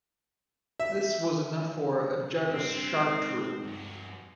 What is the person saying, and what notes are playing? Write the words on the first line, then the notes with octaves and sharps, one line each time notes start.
This was enough for Ajatashatru.
E5
D3
C#3
G2 C4
G#2
G2 F#4